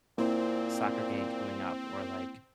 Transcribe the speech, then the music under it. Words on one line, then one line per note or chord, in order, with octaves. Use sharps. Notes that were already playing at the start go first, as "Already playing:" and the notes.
soccer game coming up?" Or, like,
A#2 A#3 C4 E4 C5